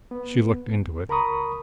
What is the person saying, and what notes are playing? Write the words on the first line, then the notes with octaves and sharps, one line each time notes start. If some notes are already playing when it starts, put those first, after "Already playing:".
She looked into it.
B3
C#2 A#4 A#5 B5 C#6 D#6